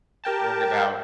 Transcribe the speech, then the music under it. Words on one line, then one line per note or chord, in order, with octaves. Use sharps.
worrying about,
G4 A#4 G5 A5